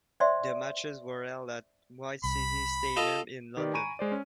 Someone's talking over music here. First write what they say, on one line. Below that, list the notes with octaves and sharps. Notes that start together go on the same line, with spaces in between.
The matches were held at White City Stadium in London.
C5 D5 E5 G5 C6
C2 B5
F4 A4 D#5
D#3 G4 B4 D5
G#5 A#5 B5 C#6 D7 D#7
G#3 C5 D5
C#4